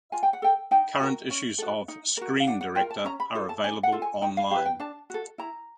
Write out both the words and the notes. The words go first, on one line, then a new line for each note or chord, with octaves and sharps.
Current issues of "Screen Director" are available online.
F4 G#5
G5
F#5
A4 G5
D#4 G5
F#4 A#4
C#4
F#4 A4
D#4
F#4 A#4
F5
D4 F#5
F#5
F4 A#4 G5
A5
C#4 A#5
B5
F4 A4
A5
D4 G#5
F#5
F4 A4
G#5
D#4 G5
F5
G4 B4 F5
G5
D4 A5
F#4 A4
E4 A#5